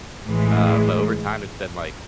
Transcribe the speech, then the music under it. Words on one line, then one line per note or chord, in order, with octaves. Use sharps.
uh, but over time, it's been like,
A1 A2 E3 G#3